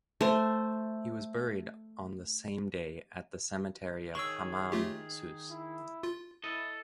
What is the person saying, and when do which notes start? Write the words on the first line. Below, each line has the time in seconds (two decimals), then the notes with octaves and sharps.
He was buried on the same day at the cemetery of Hammam Sousse.
0.21 A3 C5
4.15 D#3 G#4 C#5 C#6 E6
4.72 A3 F4 G4
5.51 E4
6.03 F4
6.44 E4 A4 D#5